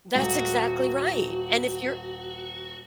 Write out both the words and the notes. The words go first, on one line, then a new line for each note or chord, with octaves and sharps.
That's exactly right. And if you're
D#1 F#4